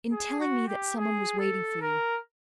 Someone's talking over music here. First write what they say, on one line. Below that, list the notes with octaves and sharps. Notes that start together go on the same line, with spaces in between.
"In telling me that some one was waiting for you."
G#4
F#4
G4
G#4
A4
A#4